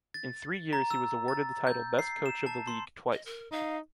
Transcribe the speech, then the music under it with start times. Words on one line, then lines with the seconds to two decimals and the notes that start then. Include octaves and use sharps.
In three years he was awarded the title best coach of the league twice.
0.14 A6
0.73 A#5
0.91 E6
1.28 A6
1.67 G6
1.99 C7
2.26 E7
2.46 A5
2.67 C6
3.13 D#5
3.25 A#4
3.52 D#4 F5